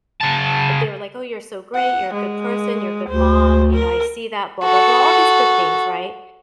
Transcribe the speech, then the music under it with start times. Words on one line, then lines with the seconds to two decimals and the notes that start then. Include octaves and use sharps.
they were like, "Oh, you're so great. You're a good person. You're a good mom," you know, "I see that. Blah, blah, blah," all these good things, right?
0.21 C#3 A5
1.75 F#5
2.14 G#3
3.09 D2 C5
3.74 A#4
4.63 F#4 A4